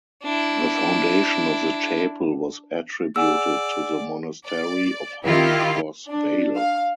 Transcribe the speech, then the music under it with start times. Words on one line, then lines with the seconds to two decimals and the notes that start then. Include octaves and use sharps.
The foundation of the chapel was attributed to the monastery of Holy Cross Vale.
0.22 D4 E4
3.16 G#4 D5 F#5 G#5 E6
4.47 D5
5.25 D#3 E4 F4 G4
6.08 D4
6.57 F5